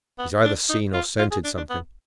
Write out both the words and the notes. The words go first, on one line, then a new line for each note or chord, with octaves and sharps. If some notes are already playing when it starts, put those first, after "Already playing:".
He's either seen or scented something.
B3
D4
D#4
F4
F4
G#4
D4
D4
B3